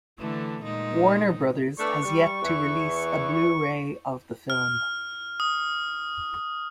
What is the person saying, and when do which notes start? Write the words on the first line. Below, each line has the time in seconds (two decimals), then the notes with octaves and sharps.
Warner Brothers has yet to release a Blu-ray of the film.
0.19 D3 E3 A3
0.62 A#2 G#3 D#4
1.79 A3 B3 D4 C#6
2.05 G3
2.42 E2 E3
3.34 C#6
4.50 F6
5.40 D#6